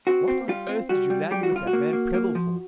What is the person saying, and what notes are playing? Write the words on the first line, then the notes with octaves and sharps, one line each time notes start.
'What on earth did you land me with that man Prebble for?'
C4 F#4
C4
G3 F4
C4
G3 F#4
G3
G3 G4
F#4
G3 F4
F#4
A#3
A#3
A#3
F3